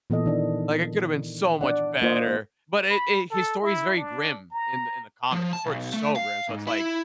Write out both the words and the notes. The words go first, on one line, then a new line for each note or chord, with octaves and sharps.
Like, it could've been so much better." But it it his story is very grim in the in the comics. His story is so grim, so it's like
A#2 E3 B3 A4 D#5
D#3 D4
D4 D5 F#5
A#3 F4 C5 D#5
B5
A4
E4
D4
A#5
F3
A5
B1
A3
F5
G#2
E4